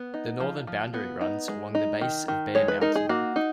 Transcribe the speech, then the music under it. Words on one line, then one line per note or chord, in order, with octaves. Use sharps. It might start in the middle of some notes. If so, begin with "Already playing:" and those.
The northern boundary runs along the base of Bear Mountain.
Already playing: B3
D#4
F3
F3
B3
D#4
G#3
D#4
D#3
D#3
G#3 C#5
B4
D#4 A#4
G#4
A#3 F#4
D#4